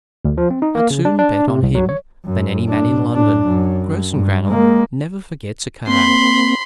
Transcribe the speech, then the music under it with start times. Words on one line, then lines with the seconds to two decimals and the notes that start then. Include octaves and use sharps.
I'd sooner bet on him than any man in London. Grossengrannel never forgets a card.
0.25 D2
0.38 F3
0.51 C4
0.62 D#4
0.75 A#3
0.90 C#3
1.05 D4
1.19 D4
1.48 C3
1.63 C2
1.75 F#3
1.89 C#5
2.25 F#2
2.67 A2 D4
3.10 A2 D4
3.46 F#2
4.11 G2
4.46 G#3 A#3
5.88 A#3 C4 B5 C6